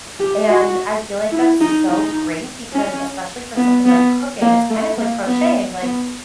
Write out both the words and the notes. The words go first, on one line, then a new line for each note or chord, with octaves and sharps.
And I feel like that's so great because especially for something like cooking, it's kind of like crocheting, like,
G4
F#4
E4
D#4
D#4
C#4
B3
B3
A#3
A3
A#3
B3
B3